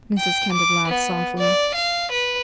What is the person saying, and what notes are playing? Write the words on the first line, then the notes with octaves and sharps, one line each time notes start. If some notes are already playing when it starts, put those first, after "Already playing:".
Mrs. Kendall laughed softly.
G5
D6
B3
D5
F5
B4